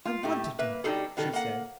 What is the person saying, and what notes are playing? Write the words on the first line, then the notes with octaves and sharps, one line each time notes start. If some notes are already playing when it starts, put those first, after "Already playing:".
"I want to do it," she said.
F4
A2 A3 G4
A#3 B4 E5
B2 G3 D4 D#4 G#4 A4
B2 D#3 G3 A4
A#3 F#5